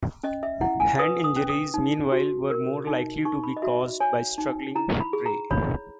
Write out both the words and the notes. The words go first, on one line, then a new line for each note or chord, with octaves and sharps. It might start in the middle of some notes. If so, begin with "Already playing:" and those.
Hand injuries, meanwhile, were more likely to be caused by struggling prey.
C#4 D#5
E5
E4 F#5
G#5
B4 D#6
D#6
C#4
D#6
D#4
F#4
A#4
D#4
D#4 C#6
B5
D#5
F#4 E5
C#5 G#5
D#4
E4 A#5
B5
G#4
A#5
C#5 B5